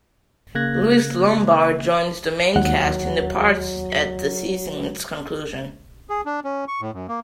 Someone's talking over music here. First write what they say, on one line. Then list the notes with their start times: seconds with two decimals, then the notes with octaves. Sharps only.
Louise Lombard joins the main cast, and departs at the seasons conclusion.
0.55 C#3 A#3 F#6 G#6 A#6
2.56 D#2 F#3 F#5
6.09 G#4
6.26 D4
6.44 C#4
6.68 C#6
6.81 A2
6.93 F#2
7.08 A#3